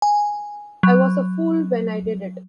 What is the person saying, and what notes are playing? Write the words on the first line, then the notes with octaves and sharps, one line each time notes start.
I was a fool when I did it.
G#5
F#3